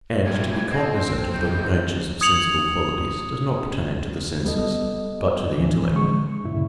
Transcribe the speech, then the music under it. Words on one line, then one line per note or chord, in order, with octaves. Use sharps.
And to be cognizant of the natures of sensible qualities does not pertain to the senses, but to the intellect.
C3 F4 G4 G#6
C4 D#5
C6
A4
F2 D#3 F#3 C4 G6
D#6 G#6 C#7 F7 F#7
G3 B3 A4 D#5
A2 E3 F3 C4
D3 G#3 C#6
D2 G2 A#2 C#3 E4